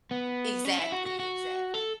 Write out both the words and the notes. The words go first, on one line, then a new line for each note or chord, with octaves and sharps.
M exactly, exactly.
B3
C#4
E4
F#4
F#4
F#4
A4